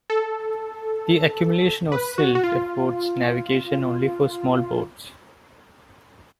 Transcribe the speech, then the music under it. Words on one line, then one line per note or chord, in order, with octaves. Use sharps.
The accumulation of silt affords navigation only for small boats.
A4
B4
F#4
F#4
F4